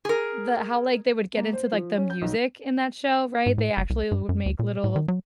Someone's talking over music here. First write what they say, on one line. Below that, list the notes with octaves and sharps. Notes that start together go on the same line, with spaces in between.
the how, like, they would get into, like, the music in that show, right? They actually would make little
G#4 A#4
A#3
C5
F3
C#4
G6
B1
G#2
A2
F#1
C2
G2
F#2
D2
A#2
A2
D#3
F#3